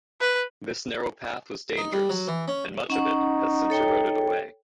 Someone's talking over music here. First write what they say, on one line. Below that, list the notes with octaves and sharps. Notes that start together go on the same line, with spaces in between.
This narrow path was dangerous and much of it has since eroded away.
B4
D#4
G3
F#3
E3
C#4
C#4 D#4 F#5 C#6
A4 C#5 G5